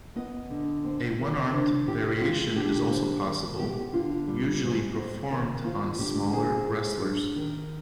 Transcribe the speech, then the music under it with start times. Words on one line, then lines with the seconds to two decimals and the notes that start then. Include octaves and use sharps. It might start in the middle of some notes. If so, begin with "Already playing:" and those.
A one-armed variation is also possible, usually performed on smaller wrestlers.
0.16 B3 D#5
0.50 D3
0.84 C4
1.19 D#3
1.53 D4 C5
1.88 C3 G4
2.21 G#3 F4
2.56 D3 G4
2.90 C4
3.25 D#3
3.59 B3 G4
3.93 D3 F4
4.27 G3
4.62 G#2
4.96 C4
5.31 D#3
5.64 C4 F4
5.99 D3 G4
6.33 C4 G#4
6.68 G#2
7.02 D4
7.36 D#3